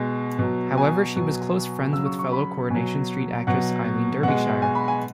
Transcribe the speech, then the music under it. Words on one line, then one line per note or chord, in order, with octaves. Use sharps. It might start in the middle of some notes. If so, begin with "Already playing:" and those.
However she was close friends with fellow Coronation Street actress Eileen Derbyshire.
Already playing: B2 G#3
B2 F#3
G#5
B2 F#3
C#3 F#3 E6
C#6
C#6
B5
B2 F#3 G#5
B2 F#3 F#5
B2 G#3 F#5
G#5
B5
G#5